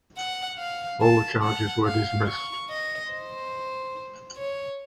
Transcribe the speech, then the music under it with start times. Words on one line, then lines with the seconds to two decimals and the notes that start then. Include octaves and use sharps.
All the charges were dismissed.
0.17 F#5
0.59 F5
1.02 A5
1.43 F#5
1.85 F5
2.27 C#6
2.69 D#5
3.12 C5
4.37 C#5